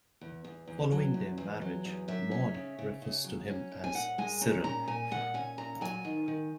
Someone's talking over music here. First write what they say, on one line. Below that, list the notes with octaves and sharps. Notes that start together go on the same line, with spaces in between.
Following their marriage Maud refers to him as 'Cyril'.
E2
E2
E2
F#3
E2
E2
F#3
E2
F#2 E5
C#4
C#3
C#3
C#3
F#3
C#4
F#2
G#5
A#2 F#5
G#3 G#5
C#4 A#5
A#2 A#5
A#2 G#5
A#2 F#5
C#4 G#5
A#2 A#5
F#3 G#5
D#3
D#3